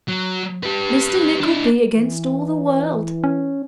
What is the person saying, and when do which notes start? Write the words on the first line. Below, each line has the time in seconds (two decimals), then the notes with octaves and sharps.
Mr Nickleby against all the world.
0.09 F#3
0.63 G4 B4
1.40 D4 E4
1.96 E3
3.24 C#4